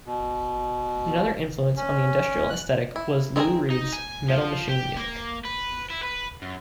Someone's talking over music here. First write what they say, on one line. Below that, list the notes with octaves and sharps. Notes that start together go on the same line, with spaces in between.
Another influence on the industrial aesthetic was Lou Reed's "Metal Machine Music".
B2
C#4
F#6
E4
C4 D#4 E4 G#4 A#4
D#4
G#5
F3
G4
A#3
B4
E4
B4
F#2